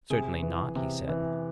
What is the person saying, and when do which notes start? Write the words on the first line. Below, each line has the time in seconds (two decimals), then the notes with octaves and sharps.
Certainly not, he said.
0.10 C3 G#4
0.42 E3
0.75 C3
1.09 E3